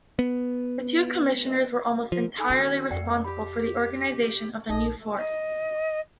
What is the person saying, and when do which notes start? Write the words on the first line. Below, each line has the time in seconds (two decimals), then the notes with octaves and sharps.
The two Commissioners were almost entirely responsible for the organisation of the new force.
0.19 B3
2.12 F3
2.38 D#4 A4 G#5 B5
2.50 D#3 D4 F#4
2.91 F2 D5 F#5 G5
3.24 G4 B5
4.69 A#1 D#4 F4 A4 D#5
5.17 D#5